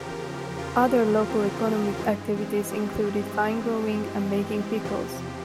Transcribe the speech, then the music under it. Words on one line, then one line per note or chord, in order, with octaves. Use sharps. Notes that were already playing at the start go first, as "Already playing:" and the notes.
Other local economic activities included wine growing and making pickles.
Already playing: E2 C#3 F3 G4 A#4
F4
C4
G2 E3 G#3
C4
G4
E2 C3 F3 G4